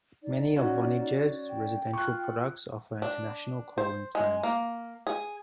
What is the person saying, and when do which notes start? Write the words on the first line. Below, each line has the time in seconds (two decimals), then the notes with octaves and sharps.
Many of Vonage's residential products offer international calling plans.
0.23 D#4 D5
0.56 C#4 F#4
1.50 G5
1.93 F4 C#6 F#6
3.02 D4
3.78 C5
4.15 G#3
4.43 A#3
5.07 G#4